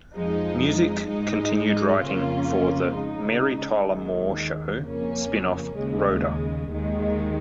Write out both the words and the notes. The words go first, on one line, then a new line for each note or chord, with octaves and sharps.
Music continued writing for the "Mary Tyler Moore Show" spin-off "Rhoda".
F2 F3 G#3 D#4
G#2 G#3 D#4
F2 C#3 A#3 C#4 F4
C#3 G#3 D#4
D#2 D#3 G#3
F2 C#3 A#3 C#4
D#2 C#3 G#3
D#2 D#3 G#3